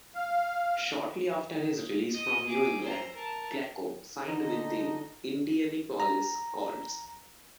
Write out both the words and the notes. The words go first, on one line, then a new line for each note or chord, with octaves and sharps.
Shortly after his release from New England, Klecko signed with the Indianapolis Colts.
F5
D#5 D#6
G#4 D6
C5 A#5
A#4 A5
D3 D#4 D#5
A#5